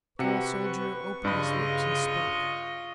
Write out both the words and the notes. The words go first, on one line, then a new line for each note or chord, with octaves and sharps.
The tall soldier opened his lips and spoke.
C3 F#4 B4 C#6 C#7
G2 C#3 F4 D#5 B5